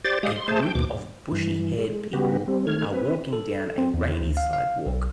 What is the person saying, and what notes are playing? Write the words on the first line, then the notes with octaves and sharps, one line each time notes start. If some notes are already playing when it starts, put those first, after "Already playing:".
A group of bushy haired people are walking down a rainy sidewalk.
G4 C5 D5 A6
G#3 G4 F5 D#6
C6
A3 G#4 C5 A5
G5
D#2 B2 D6
G2 E3
G#3
C#3 G3 B3 F#4 G4
G3 C4
D#3 A3 F6 G#6
C4 B4
A4
C4
E2
D2
F5
F5
B1